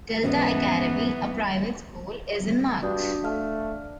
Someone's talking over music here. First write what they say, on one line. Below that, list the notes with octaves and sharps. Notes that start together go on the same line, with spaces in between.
Delta Academy, a private school, is in Marks.
E2 G#2 E3 B3 C#4
G2 D4 F#4 D#6 G6
A3 F5 A5 F6